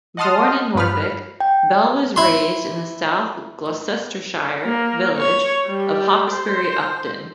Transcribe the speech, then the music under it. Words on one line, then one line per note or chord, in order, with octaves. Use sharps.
Born in Norfolk, Bell was raised in the South Gloucestershire village of Hawkesbury Upton.
D#5 F#5 A5 C6 D#6 F6
G2 B4 F6
G5
E4 C6
A#3
C#5
G3
C5